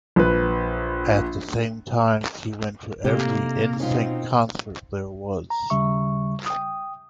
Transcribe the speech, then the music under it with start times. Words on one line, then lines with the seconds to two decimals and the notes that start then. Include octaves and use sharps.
At the same time, she went to every 'N Sync concert there was.
0.16 A#1 B4
3.04 C3 A3 A#3 D#4 G4 A#4
3.80 B2 C4 C#4 D#4 F4
5.50 A#5
5.70 D#2 C#3 G3 E5 C#6
6.46 G5 D#6